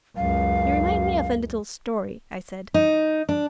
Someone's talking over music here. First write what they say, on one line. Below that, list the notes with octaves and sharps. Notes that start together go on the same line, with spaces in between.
"You remind me of a little story," I said.
C#2 F#2 F5
D#4
D4